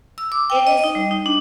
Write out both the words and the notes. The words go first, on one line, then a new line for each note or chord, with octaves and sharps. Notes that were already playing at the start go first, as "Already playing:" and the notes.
It is
E6
D6
G5
D#5
D#4
G3
D#4
D4